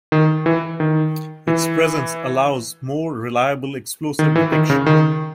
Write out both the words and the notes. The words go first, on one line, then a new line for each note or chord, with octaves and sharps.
Its presence allows more reliable explosive detection.
D#3
E3
D#3
E3
D#3
E3
D#3
C#3
D#3